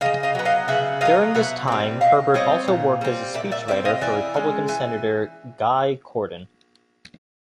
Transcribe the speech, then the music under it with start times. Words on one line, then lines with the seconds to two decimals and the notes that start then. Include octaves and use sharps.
During this time Herbert also worked as a speechwriter for Republican senator Guy Cordon.
0.01 C#3 D#5 F5
0.23 D#5 F5
0.35 F#3 B3
0.45 D#5 F5
0.68 C#3 E5 F#5
1.01 F#3 B3 D#5 F5
1.35 B2 E5 F#5
1.68 G3 C4
2.01 B2 D#5 F5
2.34 G3 C4 C#5 D#5
2.68 A#2
3.01 G3 C4
3.34 A#2 D5 E5
3.52 D5 E5
3.68 G3 C4 D5 E5
3.85 D#5 F5
4.01 E3 D5 E5
4.34 G#3 C#4
4.68 E3